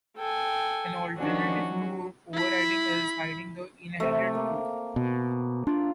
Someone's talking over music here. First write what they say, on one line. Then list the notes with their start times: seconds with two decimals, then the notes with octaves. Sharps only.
An alternative to overriding is hiding the inherited code.
0.17 A4 G5 G#5
1.17 D#3 F3 C#4 D4 F#4
1.71 F#3
2.33 E4 B5
4.00 C3 A3
4.35 A#3
4.96 B2
5.67 D4 F4